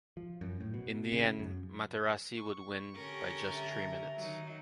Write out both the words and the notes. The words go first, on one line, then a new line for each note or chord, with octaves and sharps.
In the end Materassi would win by just three minutes.
F3
F#2
A2
B2
C#3
F#2
C#6
D3 C#4 G4 A4 A#4
E5 A#5
D#3 F#3 D#4